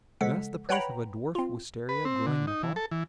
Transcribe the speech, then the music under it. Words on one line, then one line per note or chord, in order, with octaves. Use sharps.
You ask the price of a dwarf wistaria growing in a pot.
C#3 F3 G#3 A4 F#5 B6
B4 C#5 F#5 G5 A#5 B5
C4 F4
B4
C4
D3
D#4
E3
A4
E3